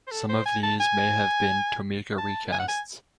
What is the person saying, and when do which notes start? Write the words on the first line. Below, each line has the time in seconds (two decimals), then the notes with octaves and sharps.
Some of these may have been Tomica recasts.
0.07 C5
0.11 A4
0.29 C5
0.46 G#5
0.63 A5
0.80 G#5
2.18 A5
2.52 G#5
2.59 F#5
2.68 G#5